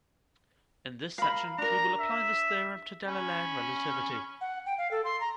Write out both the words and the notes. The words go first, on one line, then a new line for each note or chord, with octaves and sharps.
In this section, we will apply this theorem to Galilean relativity.
A#4 F5 B5
D4 A#4 A#5
E5
C#4 G#5 B5
F#5
G5
F5
A4
C6
A#5